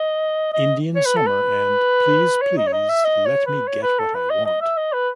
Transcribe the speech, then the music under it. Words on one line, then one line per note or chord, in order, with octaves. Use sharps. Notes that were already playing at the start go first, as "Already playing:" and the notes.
"Indian Summer", and "Please, Please, Let Me Get What I Want".
Already playing: D#5
D#5
C#5
B4
A4
B4
C#5
D#5
C#5
D#5
E5
D#5
C#5
B4
C#5
B4
A4
B4
D#5
D#5
E5
D#5
B4